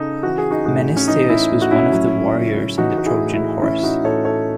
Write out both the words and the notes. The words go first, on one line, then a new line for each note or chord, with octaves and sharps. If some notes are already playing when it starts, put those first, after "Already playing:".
Menestheus was one of the warriors in the Trojan Horse.
Already playing: C#3 D#4 A4
E3 F#4
G#4
D#4 F#4
A2 D#4 F#4
C#4
E3 D#4
C#4 E4
A2
F#4
C#4 E4
F#3
C#3
E3 D#4 F#4
F#4
E4 G#4
A2
E4 G#4
E3 C#4 E4
E4
D#4 F#4
A2 A4 C#5
A4 C#5